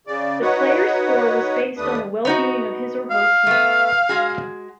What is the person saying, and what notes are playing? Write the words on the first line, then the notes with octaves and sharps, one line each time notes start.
The player's score was based on the well-being of his or her people.
C#3 D5
D#4 F#4 B4 C#5 F#5
D#2 A3 D4 B4 D#6
B3 D#4 F#4
F5
A3 B3
G#3 F#4 G#4